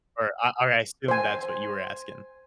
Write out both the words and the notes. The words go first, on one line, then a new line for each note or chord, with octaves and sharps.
Or I or I assume that's what you were asking.
C5 G#5